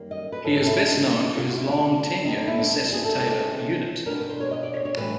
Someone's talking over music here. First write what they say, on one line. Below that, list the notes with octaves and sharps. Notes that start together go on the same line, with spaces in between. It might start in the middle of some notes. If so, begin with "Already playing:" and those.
He is best known for his long tenure in the Cecil Taylor Unit.
Already playing: F#2 D#3 G3 A#3
D#5
B4
G#2 F3 G#3 C#4 A4
A4
E4
D4
D#4
D4
D#4
D2 D3 F3 F4
F#4
E4
D4
D2 D3 G3 D#4
D#4
E4
D4
D#4
E4
G#4
A4
C3 E3 G#3 C#4 A4
B2 G#3 B3 D4 A#4
B4
C5
C#5
D#5
D5
C#5
C#5
A2 E3 G3 B4